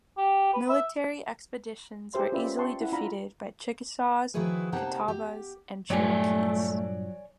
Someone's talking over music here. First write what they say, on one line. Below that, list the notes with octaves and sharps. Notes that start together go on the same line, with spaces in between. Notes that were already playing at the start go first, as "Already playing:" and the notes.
Military expeditions were easily defeated by Chickasaws, Catawbas, and Cherokees.
G4
B4
E5
G4 G#4 C5 E5 C6
C#4 F4 B4 D5 E5
E5 G5 A5 C6 C#6
E4 F#5
D4 F4 F5 A#5 B5
D#3 F3 E4 F#4 G#4 B4
C3 A#3 D#4 G4 F#5 A5
G4
G2 A#2 F#3 A3 C#5 D5 G#5